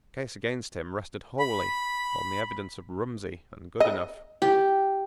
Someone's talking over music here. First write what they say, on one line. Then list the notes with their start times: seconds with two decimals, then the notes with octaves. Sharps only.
The case against him rested wholly on the evidence of Rumsey and Goodenough.
1.39 B5
3.80 D#5
4.42 G4